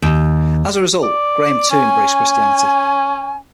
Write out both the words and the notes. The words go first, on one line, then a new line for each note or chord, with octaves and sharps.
As a result, Graham too embraced Christianity.
D#2
D5
C#4 G#5